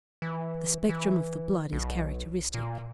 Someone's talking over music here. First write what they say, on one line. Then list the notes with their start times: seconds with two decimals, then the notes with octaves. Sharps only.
The spectrum of the blood is characteristic.
0.22 E3
0.89 E3
1.73 B1
2.54 A#2